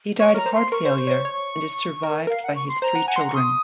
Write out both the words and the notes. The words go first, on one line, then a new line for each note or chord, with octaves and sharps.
He died of heart failure and is survived by his three children.
C#5 C#6
A#4 A#5
C5
C6
A#4 C#6
C5
C5
C#5
C5
C#5
A#4
A#4 F5
F#5
C#6
C6
C5 A#5
F#5
F#5 G#5
C6
A#5
C#6
C6 D#6